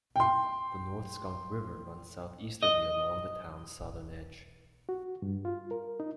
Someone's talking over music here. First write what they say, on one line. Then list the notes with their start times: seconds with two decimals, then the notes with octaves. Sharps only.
The North Skunk River runs southeasterly along the town's southern edge.
0.16 G5 C6
2.63 D#5
4.89 F#4
5.22 G2
5.45 F4
5.71 A#4
6.00 D#4